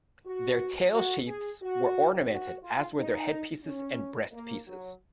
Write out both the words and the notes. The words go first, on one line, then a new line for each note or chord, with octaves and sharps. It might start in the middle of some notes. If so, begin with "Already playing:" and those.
Their tail sheaths were ornamented, as were their headpieces and breastpieces.
F#4
F#4
G#4
F#4
F#4
F4
D#4
C#4
A#3
F#3